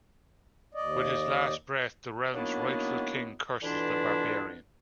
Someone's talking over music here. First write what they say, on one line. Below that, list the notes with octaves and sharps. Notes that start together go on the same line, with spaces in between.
With his last breath, the realm's rightful king curses the barbarian.
D#2 D5 D#5
D#3 F#3 A#3 B3 D4 E4
B2 D3 E3 D4 E4 F4